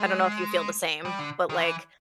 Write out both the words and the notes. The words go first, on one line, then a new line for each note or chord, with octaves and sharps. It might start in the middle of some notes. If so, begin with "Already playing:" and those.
I don't know if you feel the same, but, like,
Already playing: G#3
G3
D3
D#3
F3
E3